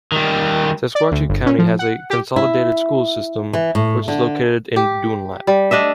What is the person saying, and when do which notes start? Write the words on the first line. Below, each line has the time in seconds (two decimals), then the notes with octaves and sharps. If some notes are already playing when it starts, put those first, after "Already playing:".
Sequatchie County has a consolidated school system which is located in Dunlap.
0.12 D#3 G3
0.95 D5
1.12 D2
1.29 G1
1.46 C#4
1.59 F3
1.79 F#5
2.10 G4
2.36 E4
3.53 E3
3.75 A2
4.08 D3
4.76 G4
5.47 G3
5.71 A3 D4 D#5 E5